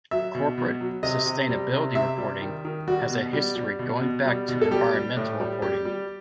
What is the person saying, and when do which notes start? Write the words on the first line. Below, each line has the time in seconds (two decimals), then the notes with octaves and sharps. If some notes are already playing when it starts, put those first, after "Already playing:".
Corporate "sustainability reporting" has a history going back to environmental reporting.
0.11 F#3 E5
0.35 B2
0.58 B2
0.81 F#3
1.03 C3 D#5
1.26 C3
1.49 G3
1.72 C3
1.95 C3 E5
2.18 G3
2.42 D#3
2.65 D#3
2.88 G3 F#4
3.10 B2
3.33 G3
3.55 G3
3.79 B2
4.01 B2
4.25 G3
4.48 B2
4.61 A4
4.71 G3 G4
4.94 G3
5.17 A2
5.40 G3
5.62 G3 G4
5.85 G3